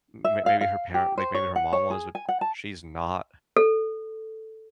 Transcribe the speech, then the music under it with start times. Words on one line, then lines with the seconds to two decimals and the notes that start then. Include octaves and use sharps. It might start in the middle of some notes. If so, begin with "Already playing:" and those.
m m maybe her parent like, maybe her mom was, but she's not,
0.24 E5
0.46 F5
0.61 F5
0.94 G4
1.18 C5
1.35 C#5
1.56 F#5
1.73 C#5
1.90 G#4
2.15 G#5
2.29 F#5
2.41 A5
3.57 A4